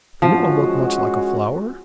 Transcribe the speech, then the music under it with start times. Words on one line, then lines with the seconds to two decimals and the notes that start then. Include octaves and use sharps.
"But you don't look much like a flower."
0.22 F3 G#3 C#4 F#4